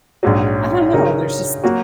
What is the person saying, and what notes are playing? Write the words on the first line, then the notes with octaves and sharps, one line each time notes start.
I don't know, there's just
A#1 G#2 F#3
C#3 F#3 D#4 A#4
F#3 A#3 F#4